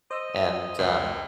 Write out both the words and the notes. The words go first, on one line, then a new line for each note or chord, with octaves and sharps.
And, um,
C5 D#5 E6
C#2